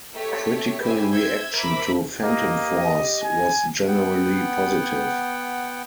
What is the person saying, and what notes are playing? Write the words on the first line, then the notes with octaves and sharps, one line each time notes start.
Critical reaction to "Phantom Phorce" was generally positive.
A3 G4 A4 C#5 B6
G4 B4 C5 E5 G5 G#5
C5 E5 E6 G6 G#6
A#4 C5 E5 B5 D6
A#3 G4 D#5
G#5
B3 F#5 G5